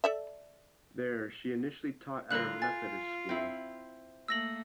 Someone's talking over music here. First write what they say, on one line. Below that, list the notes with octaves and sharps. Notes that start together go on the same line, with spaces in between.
There, she initially taught at a Methodist school.
A4 D5 E5
D3 G3 F4 A#4 F#6 F#7
G#5 A6
C4 E4
A3 A#3 E6 A#6 F#7